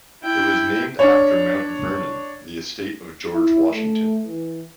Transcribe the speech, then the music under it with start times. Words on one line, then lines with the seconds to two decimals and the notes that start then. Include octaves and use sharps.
It was named after Mount Vernon, the estate of George Washington.
0.22 E4 G5
0.99 D4 C#5
3.34 E4
3.72 A3
4.24 E3